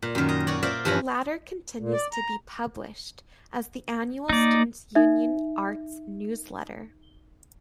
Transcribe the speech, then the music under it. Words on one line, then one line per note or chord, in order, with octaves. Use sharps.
The latter continues to be published as the annual Students' Union arts newsletter.
A#2
F#2 D#3
D#5 A#5
F#4 C#5 D5
F4 A#4 C5 D5 E5
G2 E3 F3 B4 G#5 A#5
A#2
D5
A#5
A#3 D#4 D5
D#4 E5